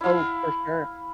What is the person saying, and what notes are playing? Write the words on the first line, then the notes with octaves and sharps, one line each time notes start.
Oh, for sure.
E4 F5